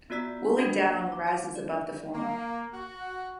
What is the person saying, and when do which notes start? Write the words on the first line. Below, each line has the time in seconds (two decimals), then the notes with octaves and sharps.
Woolley Down rises above the former.
0.10 B3 F4 F#4 D5 E6 B6
0.58 A#3 D4 F#4 A5 G#6
1.12 D6
1.27 A5
1.55 D5
2.14 A#3
2.74 F#4